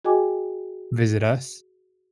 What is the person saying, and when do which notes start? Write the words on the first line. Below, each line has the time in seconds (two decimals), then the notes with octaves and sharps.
visit us.
0.05 F#4 G#4 D#5 G5 G#5 D6